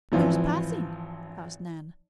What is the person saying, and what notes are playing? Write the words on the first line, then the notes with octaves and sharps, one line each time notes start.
"Who is passing?" asked Nan.
G#1 E3 F3